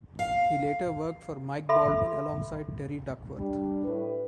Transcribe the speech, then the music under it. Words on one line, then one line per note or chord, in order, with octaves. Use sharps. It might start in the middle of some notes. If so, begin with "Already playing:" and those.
He later worked for Mike Baldwin alongside Terry Duckworth.
F5
A4 E5 B5 C6
G3 D4
A2 E4 B4